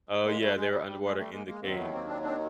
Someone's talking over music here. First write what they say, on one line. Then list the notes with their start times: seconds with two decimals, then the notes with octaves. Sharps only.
Oh, yeah. They were underwater in the cave.
0.09 G#3
0.24 G#3 A#3
0.39 G3 A3
0.55 G#3
0.70 G3
0.85 G3
1.01 G#3
1.16 G3 A3
1.31 G#3 A#3
1.47 G#3 A#3
1.61 D#2 D#3 F#3 A#3 C4
1.71 A#3
1.77 A3 B3
1.92 A#3 C4
2.07 C4 D4
2.22 C4 D4